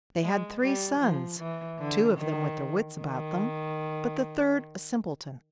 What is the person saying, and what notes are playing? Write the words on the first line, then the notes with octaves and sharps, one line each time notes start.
They had three sons, two of them with their wits about them, but the third a simpleton.
G#3
G3
F3
E3
D3
D#3
D#3